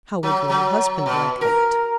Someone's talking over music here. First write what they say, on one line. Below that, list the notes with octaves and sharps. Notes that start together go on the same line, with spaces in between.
"How would your husband like that?"
F#3
F#3
B2
A#4